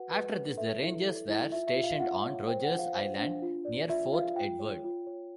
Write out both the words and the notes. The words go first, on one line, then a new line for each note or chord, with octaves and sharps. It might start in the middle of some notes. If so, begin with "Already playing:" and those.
After this, the Rangers were stationed on Rogers Island near Fort Edward.
Already playing: F#4 B4 F#5
B4
B4
A4 E5
E4
A4
E4
F4 E5
E5
F4
F5
F4 F#5
C#5
C5 G5
F#5
F4
F5
C5
D4
F4
D5
F4 E5
F4 F5
F4 G5
C#5
F4
C#5